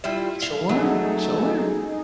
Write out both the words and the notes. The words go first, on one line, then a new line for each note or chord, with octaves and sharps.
Sure, sure.
G3 E4 F4 E5
F5
F#3 A3 D#4 G#4